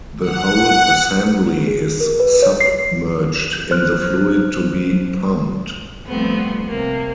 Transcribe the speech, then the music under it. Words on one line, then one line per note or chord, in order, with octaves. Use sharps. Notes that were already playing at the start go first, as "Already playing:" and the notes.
The whole assembly is submerged in the fluid to be pumped.
F#5
G#4
A#4
B4
C#5
C7
C5 F6 F#6
F3 G3 A3 B3 C4
C3 A#3